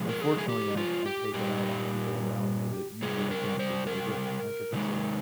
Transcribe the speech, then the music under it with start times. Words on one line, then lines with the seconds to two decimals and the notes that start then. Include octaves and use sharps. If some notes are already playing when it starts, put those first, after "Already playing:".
unfortunately, I I take it out on people around me that usually don't deserve it. Like, if it's a
Already playing: C3 F3 G#3
0.09 A#4
0.21 G#4
0.38 G#4
0.49 G4
0.77 F4
1.06 G4
1.34 A#2 G3 G4
3.02 C3 G3 G#4
3.31 A#4
3.59 C5
3.87 A#4
4.73 C3 D#3 G#3